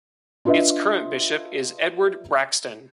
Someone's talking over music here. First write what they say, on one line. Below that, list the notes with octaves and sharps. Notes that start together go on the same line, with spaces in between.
Its current bishop is Edward Braxton.
D4 F4 B4 D#5 E5